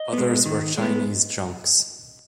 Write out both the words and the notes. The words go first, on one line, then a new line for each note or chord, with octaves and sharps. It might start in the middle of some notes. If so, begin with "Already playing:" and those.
Others were Chinese junks.
Already playing: D#5
G#3 B3
D#3
G#3 B3